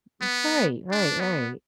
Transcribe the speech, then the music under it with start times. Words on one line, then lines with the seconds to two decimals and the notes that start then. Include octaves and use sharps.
That's right, right, right.
0.21 B3
0.91 D4
1.20 B3